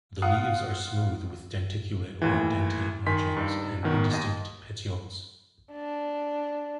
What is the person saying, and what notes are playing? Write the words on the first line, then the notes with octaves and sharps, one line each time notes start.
The leaves are smooth with denticulate or dentate margins and indistinct petioles.
F4 F5 F#5 D#6
D#2 A2 E3
D#3 G#5 C6 B6
G2 D#4
C2 F#2 B2 D#3
D#2 D#5
D4